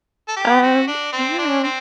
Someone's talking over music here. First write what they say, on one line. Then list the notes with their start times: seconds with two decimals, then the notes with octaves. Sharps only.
Um, yeah,
0.28 A4
0.36 G4
0.62 F#4
0.87 D4
1.12 C4
1.38 D4
1.64 C4